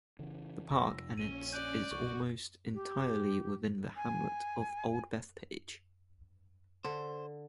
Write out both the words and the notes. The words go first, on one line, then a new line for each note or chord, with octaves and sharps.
The park and its is almost entirely within the hamlet of Old Bethpage.
C#3 E3
F2 C3 E6 A#6
A#1 C#4 D#7 G7
D5 F#6 G6
C2 F#4 C#6
G4
G#5
D3 C5